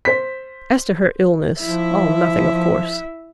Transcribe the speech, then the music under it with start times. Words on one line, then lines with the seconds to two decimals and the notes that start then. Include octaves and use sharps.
As to her illness, all nothing of course.
0.05 C5 B6
1.62 F3 E4 E5